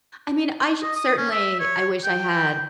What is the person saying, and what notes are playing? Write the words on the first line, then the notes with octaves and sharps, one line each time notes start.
I mean, I sh certainly, I wish I had
D#5
D#6
C#4
E5
C#5
G5